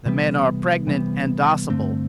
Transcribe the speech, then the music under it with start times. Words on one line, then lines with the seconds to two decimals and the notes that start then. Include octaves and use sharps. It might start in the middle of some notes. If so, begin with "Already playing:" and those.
The Men are pregnant and docible.
0.06 C3 E3 G3 B3
0.87 C3 E3 G3 B3
1.70 G2 D3 A3 C4